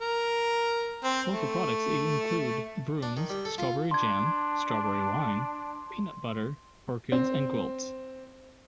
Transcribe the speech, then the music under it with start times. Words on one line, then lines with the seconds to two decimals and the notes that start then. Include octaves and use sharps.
Local products include brooms, strawberry jam, strawberry wine, peanut butter, orchids and quilts.
0.01 A#4
1.04 C4
1.32 A3
3.03 D4
3.17 D#3
3.29 G3
3.45 A4
3.58 F4
3.91 D4 C6 G#6
7.12 C4